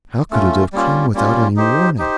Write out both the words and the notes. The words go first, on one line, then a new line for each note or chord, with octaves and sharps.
'How could it have come without any warning?
A3 C#4 F4
G3 A#3 C#4 F4
G3 A#3 C#4 F4
D#4 G4 C5
D#4 G4 C5